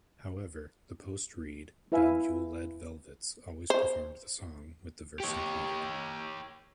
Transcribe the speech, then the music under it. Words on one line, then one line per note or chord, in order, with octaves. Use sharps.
However, the post-Reed, Doug Yule-led Velvets always performed the song with the verse included.
E4 B4 E5 F5 G#5
C5
G4 C#5